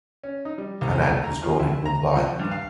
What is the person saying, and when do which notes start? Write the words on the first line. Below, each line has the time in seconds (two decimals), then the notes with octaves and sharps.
Anand was born in Mumbai.
0.23 C#4
0.45 D#4
0.58 G3
0.81 C2
1.11 A3
1.24 A#5
1.43 F3
1.59 E4
1.86 A#5
2.16 F2
2.40 G2
2.51 F5